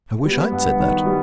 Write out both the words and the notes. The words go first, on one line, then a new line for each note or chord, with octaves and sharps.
"I wish I'd said that."
G3 B3
G2
D#3
G3